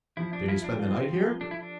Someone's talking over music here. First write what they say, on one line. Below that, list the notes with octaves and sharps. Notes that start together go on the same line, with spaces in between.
"Did he spend the night here?"
F3 E4
D4
E4 F4
D4
C4 F4
F3
D4 A4
E4
D4